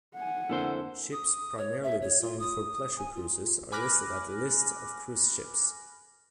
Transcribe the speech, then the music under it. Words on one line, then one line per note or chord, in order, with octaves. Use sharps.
Ships primarily designed for pleasure cruises are listed at List of cruise ships.
F#5 G#5
F2 D3 A#3 E4 A4 C5
D#6
C#5
E5
C#5
F4
D#6
G#5
F4
G#5 B5 D6 F6 F#6 A#6